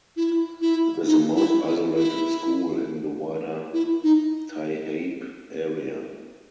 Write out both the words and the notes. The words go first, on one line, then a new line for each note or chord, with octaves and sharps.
It is the most isolated school in the wider Taihape area.
E4
E4
D#4
E4
E4
E4
E4
D#4